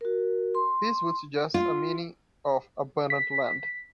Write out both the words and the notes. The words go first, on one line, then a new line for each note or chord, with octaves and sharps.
This would suggest a meaning of "abundant land".
F#4 A#4
C6
F4
B6